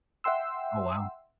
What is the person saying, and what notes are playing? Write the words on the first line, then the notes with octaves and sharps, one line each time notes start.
Oh, wow.
E5 F#5 G5 C6 E6